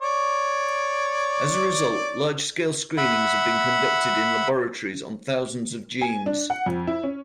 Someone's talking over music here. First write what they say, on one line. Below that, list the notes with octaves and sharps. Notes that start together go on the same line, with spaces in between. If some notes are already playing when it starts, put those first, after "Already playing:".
As a result, large-scale screenings have been conducted in laboratories on thousands of genes.
C#5 D5
E5 F#5 B5
G#5
D4
F#5
F2
E4
C#4